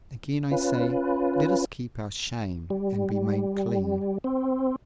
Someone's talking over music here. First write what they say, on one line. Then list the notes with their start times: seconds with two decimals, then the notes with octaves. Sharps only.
Again I say, let us keep our shame and be made clean!
0.51 C#4 F4 B4
2.70 G3
4.24 C4